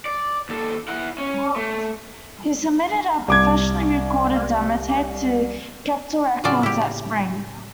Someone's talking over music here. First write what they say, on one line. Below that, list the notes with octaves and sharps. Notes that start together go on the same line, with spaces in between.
He submitted a professionally recorded demo tape to Capitol Records that spring.
D5
D#2 A4
E4 F#5
C#4
A3
C2 D6 G#6
A2 C#3 F#3 F4 D5 A5
E4 G4